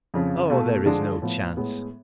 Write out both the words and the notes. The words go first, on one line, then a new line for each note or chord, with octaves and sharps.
Oh, there is no chance.
F2 C#3 F3
B2 A3 F4
D3 F3 G#3 D4
A2 F3 B3
A2 G#3 B3